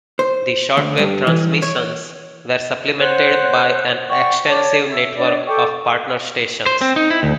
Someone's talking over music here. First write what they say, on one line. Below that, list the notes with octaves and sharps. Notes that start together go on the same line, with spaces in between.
The shortwave transmissions were supplemented by an extensive network of partner stations.
C5
D2
G2
E3
C#5
C5 C#5 F#5 F#6
D5 F#5 G5 C#6
C#5 D5 A5 D6
E5
D4 C#5 D5
A4 G5 C#6 D6
C5
C4
D#4
E4
D2